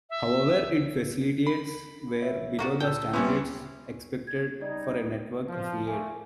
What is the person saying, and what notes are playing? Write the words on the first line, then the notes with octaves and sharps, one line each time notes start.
However, its facilities were below the standards expected for a network affiliate.
E5
B5
C#5 E5
A#3 F#4 A4 D5
A#2 G5 A5 E6
C3 G3 B3 C#4 E4 G#5 C6 D6
G#6
G3 D#4 D5
F3
A3 A#3 G#5